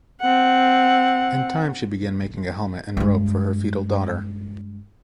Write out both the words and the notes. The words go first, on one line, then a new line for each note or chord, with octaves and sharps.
In time she began making a helmet and robe for her fetal daughter.
C4 F#5
G2 G#3